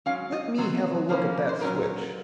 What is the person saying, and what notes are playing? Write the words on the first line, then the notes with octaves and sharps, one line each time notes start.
"Let me have a look at that switch."
G#2 F#3 C#4 F5
D#5
C3 F#3 C4
C#3 F3 A#3 C#4
C5
A#2 F#3 C#4 A#4